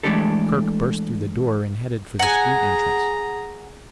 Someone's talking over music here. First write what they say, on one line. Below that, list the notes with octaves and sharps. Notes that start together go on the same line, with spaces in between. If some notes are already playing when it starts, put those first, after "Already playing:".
Kerk burst through the door and headed for the street entrance.
E3 G#3 A3 D4 G4 A4
G#4 F#5 G#5 A#5